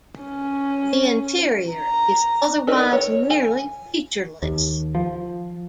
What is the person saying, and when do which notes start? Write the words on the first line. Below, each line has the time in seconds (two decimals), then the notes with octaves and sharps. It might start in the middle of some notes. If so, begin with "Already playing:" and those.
The interior is otherwise nearly featureless.
0.22 C#4
1.73 A#5
2.67 C4 D4 D#4 A#4 B4
2.93 C#5
3.30 G#5
4.42 D#2
4.95 F3